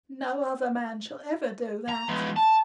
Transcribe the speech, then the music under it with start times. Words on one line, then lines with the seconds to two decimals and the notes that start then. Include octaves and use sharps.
"No other man shall ever do that."
1.89 A#5
2.09 G#3 B3
2.36 A5